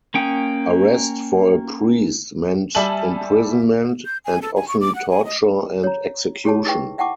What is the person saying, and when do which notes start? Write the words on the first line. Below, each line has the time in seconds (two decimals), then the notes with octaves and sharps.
Arrest for a priest meant imprisonment, and often torture and execution.
0.14 A#3 C#4 G5 D#6
2.75 G3 E5 G#5 A5 F#7
4.05 G6
4.25 G#5
4.42 A4
4.56 G#5
4.68 C#6
4.81 D6
4.95 F#5
5.10 G#5
5.25 D#5
5.84 C#5 A#5
6.44 E4 G4 G#4 C#5 A5
6.66 D#4 G#4 B4 E5 G5 C#6
6.98 E5 F#5 G5 A5 C#6 D6